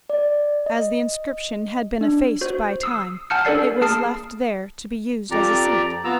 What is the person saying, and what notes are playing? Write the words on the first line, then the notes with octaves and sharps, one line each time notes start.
As the inscription had been effaced by time, it was left there to be used as a seat.
D5
D#5
D4
F#4 C5
D#6 E6 C7
F#5 G#5 A5 F6 G6 C#7
D4 A4 A#4 D5 C7
A#3 G#4 A5 D#6 F6 C7
F2 G4 D5 A#5
B3 F4 A#5 E6